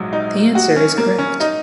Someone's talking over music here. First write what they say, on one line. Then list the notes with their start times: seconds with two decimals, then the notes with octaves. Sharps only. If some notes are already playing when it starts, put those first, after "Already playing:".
The answer is correct.
Already playing: A#1 G#2 F#3
0.13 D#4
0.55 F#4
0.76 C#4
0.98 A#3
1.18 C#4
1.40 D#4